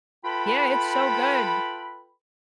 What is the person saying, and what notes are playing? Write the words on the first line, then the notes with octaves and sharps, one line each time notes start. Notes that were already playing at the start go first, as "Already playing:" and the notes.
Yeah, it's so good.
F4 A4 B4 G5 B5